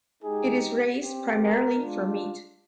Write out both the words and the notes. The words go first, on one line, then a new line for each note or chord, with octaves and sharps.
It is raised primarily for meat.
G#3 D#4 G4 G#4
C4 G4
A#4
G#3 D4 F4